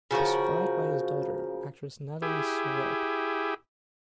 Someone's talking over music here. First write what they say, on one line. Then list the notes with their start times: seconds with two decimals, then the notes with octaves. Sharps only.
He was survived by his daughter, actress Nathalie Serrault.
0.11 C#3 F3 F#4 A#4
2.22 E4 G4 G#4